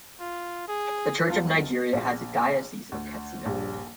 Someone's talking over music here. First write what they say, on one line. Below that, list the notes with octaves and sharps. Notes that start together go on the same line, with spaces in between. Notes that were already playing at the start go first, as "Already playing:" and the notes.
The Church of Nigeria has a Diocese of Katsina.
F4
G#4
E1 F#3 B3 F4 F5 A5
A#1
D2
D#1 A#1 G2